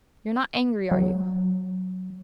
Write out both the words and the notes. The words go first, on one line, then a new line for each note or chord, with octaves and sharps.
You're not angry, are you?
F#3